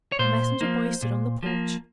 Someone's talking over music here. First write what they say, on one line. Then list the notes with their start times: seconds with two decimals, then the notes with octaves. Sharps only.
A messenger boy stood on the porch.
0.12 C#5
0.19 A#2 C5
0.61 F3 A#3
1.02 A#2
1.43 F3 A#3